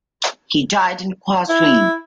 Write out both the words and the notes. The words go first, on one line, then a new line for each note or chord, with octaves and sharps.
He died in Qazwin.
E4